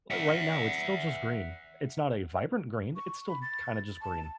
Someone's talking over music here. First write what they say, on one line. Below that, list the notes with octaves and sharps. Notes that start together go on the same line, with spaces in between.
Like right now, it's still just green. It's not a vibrant green, it's still kinda just green,
E5 F#5
C#6
B5
A6
A5